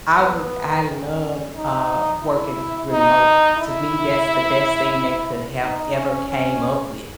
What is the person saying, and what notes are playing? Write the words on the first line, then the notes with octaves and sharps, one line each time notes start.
I would I love, uh, working remote. To me, that's the best thing they could have ever came up with.
B3
C#4
D#4
E4
D#4
E4
D#4
C#4
C#4